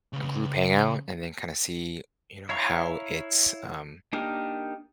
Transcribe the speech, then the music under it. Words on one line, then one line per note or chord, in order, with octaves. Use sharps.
a group hangout and then kinda see, you know, how it's, um,
C#3 B4
E4 C#5 F5 A#5 C#6
A#3 D4 D#4 G4 A#4